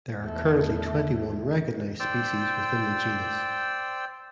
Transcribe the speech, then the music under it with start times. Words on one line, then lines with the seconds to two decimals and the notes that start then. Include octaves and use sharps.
There are currently twenty-one recognised species within the genus.
0.19 E2 A3
2.00 C5 D5 G5 E6